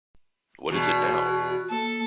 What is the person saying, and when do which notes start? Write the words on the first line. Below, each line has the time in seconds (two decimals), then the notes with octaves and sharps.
What is it now?
0.71 E2 B2 F#4
1.70 A#3 A4